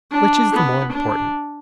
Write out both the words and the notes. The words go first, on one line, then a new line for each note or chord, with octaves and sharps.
Which is the more important?
D4
B3
D4